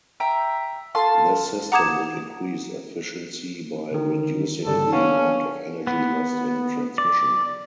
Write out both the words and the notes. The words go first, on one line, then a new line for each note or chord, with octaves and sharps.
This system would increase efficiency by reducing the amount of energy lost in transmission.
E5 G5 A#5
F4 A4 A5 C6
F#5 A#5 D6 D#6 G#6 E7
D3 D#3
G1 C#3 G3 A4
B3 C#4 D4 F5
B3
D5